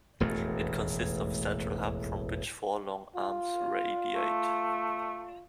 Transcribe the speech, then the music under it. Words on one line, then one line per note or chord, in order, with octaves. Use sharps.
It consists of a central hub, from which four long arms radiate.
E1 A1 F2 A3
F4
A3